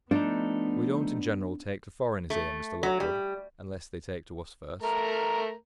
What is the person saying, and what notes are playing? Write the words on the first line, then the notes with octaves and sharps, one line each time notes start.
We don't in general take to foreigners here, Mr. Lockwood, unless they take to us first.
F3 A3 B3 D4 D#4
A3
F#3
G3
A3 A#4 A#5